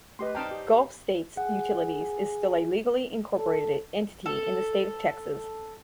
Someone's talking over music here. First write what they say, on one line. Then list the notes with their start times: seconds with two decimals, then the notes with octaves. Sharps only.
Gulf States Utilities is still a legally incorporated entity in the state of Texas.
0.19 A3 G4 B4 D#5 C6
0.35 G3 C4 D#4 G5 A5 A#5 F6
0.51 G4
1.37 G#4 F#5
3.36 A4
4.26 A4